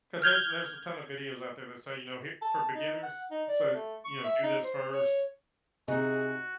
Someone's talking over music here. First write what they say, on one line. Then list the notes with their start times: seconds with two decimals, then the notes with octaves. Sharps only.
'Cause there's there's a ton of videos out there that say, you know, "Here" for beginners, so, you know, "Do this first."
0.22 F6 G6 G#6
2.42 A5
2.75 D#4
3.03 F#5
3.31 D#4
3.48 D5
3.74 A3
4.04 C#6
4.24 E5
4.43 D#4
4.64 C5
4.93 C#5
5.88 C3 D#4 F#4 G#4